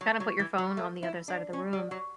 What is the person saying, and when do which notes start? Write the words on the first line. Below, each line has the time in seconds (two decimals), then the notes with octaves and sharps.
kinda put your phone on the other side of the room.
0.01 F#3
0.20 F#3
0.39 E3
0.58 F#3
0.77 A3
1.03 E4
1.28 D4
1.53 C#4
1.73 G3
1.91 F#3